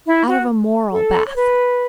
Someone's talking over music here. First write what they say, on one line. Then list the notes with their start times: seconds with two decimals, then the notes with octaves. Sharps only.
Out of a moral bath.
0.06 E4
0.27 F#4
0.92 A4
1.27 C#5
1.35 B4